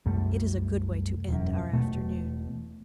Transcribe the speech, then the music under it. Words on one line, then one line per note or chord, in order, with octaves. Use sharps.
"It is a good way to end our afternoon."
C2 F#2 G3 A3
E1 F#2
E1 B2 A3